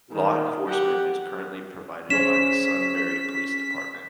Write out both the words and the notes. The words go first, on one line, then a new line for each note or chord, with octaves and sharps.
Law enforcement is currently provided by the Sunbury Police Department.
D#3
G4 F#5
C#4 G#4 C5 B6 E7